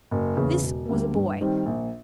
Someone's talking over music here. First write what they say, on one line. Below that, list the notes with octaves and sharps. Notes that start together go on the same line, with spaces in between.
This was a boy.
F#1
E2 C#3
E1
D2 D3 G3 A#3
G2
D#3 G3 C4
A#1